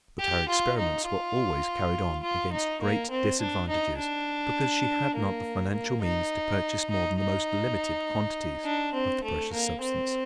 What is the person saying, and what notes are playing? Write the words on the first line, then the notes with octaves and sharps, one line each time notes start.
But her experiments were always carried on against great disadvantages because she had not the financial means to purchase more than the most limited quantities of the precious substance.
G4
F4
D#4
F4
F4
D#4
A#3
C4
D4
D#4
D4
A#3
A#3
D#4
D#4
D#4
D4
C4
A3
A#3
C4